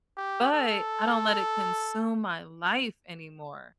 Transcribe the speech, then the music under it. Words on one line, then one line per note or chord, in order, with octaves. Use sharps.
but, I don't let it consume my life anymore
G4
A4